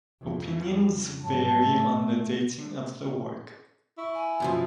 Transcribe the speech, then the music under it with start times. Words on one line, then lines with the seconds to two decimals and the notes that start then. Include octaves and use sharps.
Opinions vary on the dating of the work.
0.21 F2
1.23 G#2 F#3 A5
1.55 A2 A3
3.98 E4 C#6
4.14 G#5
4.40 F#2 B2 F3